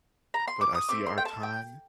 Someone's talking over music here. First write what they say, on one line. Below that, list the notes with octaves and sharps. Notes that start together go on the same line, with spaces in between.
but I see our time
A#5
C6
D6
D#6
A3 C4 D6
C6
G5
A5
G5